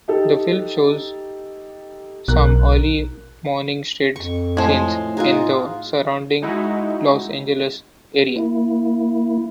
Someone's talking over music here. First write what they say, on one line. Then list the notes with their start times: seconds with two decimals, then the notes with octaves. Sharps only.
The film shows some early morning street scenes in the surrounding Los Angeles area.
0.08 D#4 G4 A4
2.28 B1 A#4 F#6
4.16 F2 C#6
4.57 A2 F3 G#3
5.17 D#4 F4 F#4 G#4
6.42 G#3 D#4 E4 F#4
8.36 A#3 E4